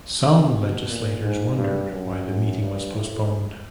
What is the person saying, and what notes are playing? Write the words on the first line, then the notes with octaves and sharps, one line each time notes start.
Some legislators wondered why the meeting was postponed.
C3
B2
A#2
G#2
G2
F#2
G2
A2